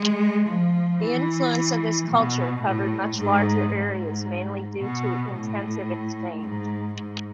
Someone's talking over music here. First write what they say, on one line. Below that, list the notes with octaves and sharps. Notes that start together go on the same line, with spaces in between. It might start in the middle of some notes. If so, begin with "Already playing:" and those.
The influence of this culture covered much larger areas mainly due to intensive exchange.
Already playing: G#3
F3
E3
B2
A2
G#2
G#2
B2
A2
G#2
G#2